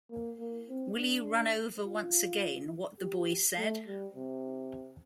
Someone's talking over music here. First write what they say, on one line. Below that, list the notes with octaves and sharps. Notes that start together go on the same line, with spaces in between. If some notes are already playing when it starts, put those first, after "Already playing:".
Will you run over, once again, what the boy said?
A#3
A#3
C4
D4
F4
G4
A3
G3
C3